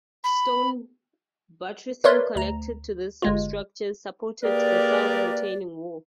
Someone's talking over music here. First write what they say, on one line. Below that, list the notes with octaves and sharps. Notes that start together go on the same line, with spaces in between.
Stone buttressing, connected to this substructure, supported the south retaining wall.
B5
A#4 B4 C#5 D5 E5 C6
D2 A#5
G1 G#3 F4
A#3 G4 G#4 A#4 B4 D5